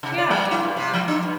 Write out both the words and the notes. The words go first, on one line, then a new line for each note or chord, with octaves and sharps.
Yeah, definitely.
C3
D5
G3
E4
G2
C3
F3
D4
G2